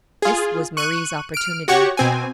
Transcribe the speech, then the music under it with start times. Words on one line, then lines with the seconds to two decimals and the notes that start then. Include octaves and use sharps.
This was Marie's opportunity.
0.22 F4 G#4
0.77 C#6 F#6 D#7
1.34 F6 D7
1.68 F#4 G4 C#5 F#5 C#6
1.97 B2 C4 G#5